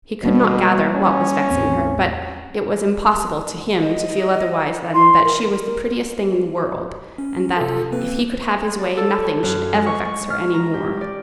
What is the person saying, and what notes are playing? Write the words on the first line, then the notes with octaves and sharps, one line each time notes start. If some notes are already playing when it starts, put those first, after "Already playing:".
He could not gather what was vexing her, but it was impossible to him to feel otherwise than that she was the prettiest thing in the world, and that if he could have his way, nothing should ever vex her any more.
B2 G3 G#3 A#3
C#4
A1 E2 C4
D#5
C6
A#4
C#4
C3 F4 A4
A#3 C4 B4
D5
A4
C#5
F#2
G#3
C#6
C#6
F6
A#5
G4
D5